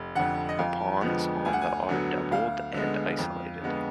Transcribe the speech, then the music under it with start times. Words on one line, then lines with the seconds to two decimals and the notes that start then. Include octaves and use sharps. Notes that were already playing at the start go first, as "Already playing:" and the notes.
The pawns on the are doubled and isolated.
Already playing: F1
0.15 F2 D3 F#5
0.49 D#5
0.58 F2 F5
1.01 D3 F3 G#3 B3
1.45 D2 G#5
1.53 F#5
1.61 G#5
1.89 D3 F#3 B3
2.31 D2 F5
2.74 D3 G#3 B3
3.19 F2
3.61 D3 G#3 B3